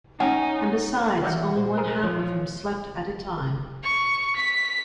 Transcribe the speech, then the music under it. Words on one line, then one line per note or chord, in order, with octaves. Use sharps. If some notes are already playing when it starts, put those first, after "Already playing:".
And besides, only one half of him slept at a time.
C#4 D#4 F#5 G#5
E3 F#3 G3 F#4 E5 F#5 A#5
A#2 C5
G#4 A#4
F3 C#5
C#6
B6